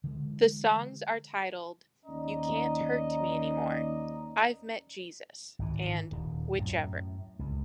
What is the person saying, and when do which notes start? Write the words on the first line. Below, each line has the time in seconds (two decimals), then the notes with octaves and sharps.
The songs are titled "You Can't Hurt Me Anymore", "I've Met Jesus" and "Whichever".
0.04 D3 E3 G#3
2.05 D#2 C#4 D5 D#5 A#5
5.59 G#1 E3
6.12 D#1
6.59 F#2 A2
7.39 C#2